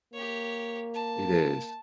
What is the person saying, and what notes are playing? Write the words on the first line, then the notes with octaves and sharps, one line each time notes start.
It is.
A#3 G4 C#5
A5